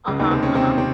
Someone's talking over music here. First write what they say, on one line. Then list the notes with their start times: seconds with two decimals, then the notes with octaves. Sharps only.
Uh-huh. Uh-huh.
0.08 C#2 C#3
0.20 D#2 D#3
0.31 C3 C4
0.42 C#3 C#4
0.55 C3 C4
0.78 C3 C4